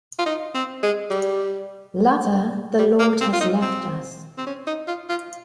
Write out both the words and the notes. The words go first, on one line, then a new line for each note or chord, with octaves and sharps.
Lover, the Lord Has Left Us...
F4
D#4
C4
G#3
G3
G3
A#3
C4
F4
D#4
C4
C4
C#4
D#4
F4
F4